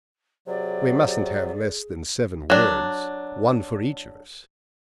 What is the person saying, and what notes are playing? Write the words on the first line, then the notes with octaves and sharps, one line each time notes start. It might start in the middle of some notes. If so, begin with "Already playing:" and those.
"We mustn't have less than seven words, one for each of us."
C3 F#3 G#4 D5
F#3 D4